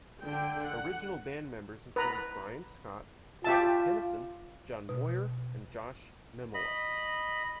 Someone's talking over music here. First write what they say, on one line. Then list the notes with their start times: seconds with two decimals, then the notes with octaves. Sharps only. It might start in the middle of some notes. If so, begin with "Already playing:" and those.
Original band members included Bryan Scott, Patrick Kennison, John Moyer and Josh Memolo.
0.22 D3 G5
0.65 F#5
1.96 B4 A#5
3.44 F4 G4 E5 A5
4.89 B2
6.54 D#5 B5